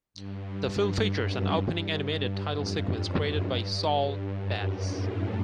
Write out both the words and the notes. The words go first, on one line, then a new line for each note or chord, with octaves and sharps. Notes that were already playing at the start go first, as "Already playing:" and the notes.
The film features an opening animated title sequence created by Saul Bass.
G2
F#2
G2
F2
F#2
G2
G2
F#2
A2